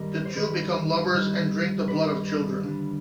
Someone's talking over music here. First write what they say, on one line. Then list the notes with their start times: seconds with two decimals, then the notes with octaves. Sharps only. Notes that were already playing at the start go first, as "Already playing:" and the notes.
The two become lovers and drink the blood of children.
Already playing: G2 D#3 G3 A#4
0.25 C5
0.36 G2 D#3 G3 B4
1.12 G2 D#3 G3
1.88 G2 D#3 G3 B4
2.63 D#2 D3 G3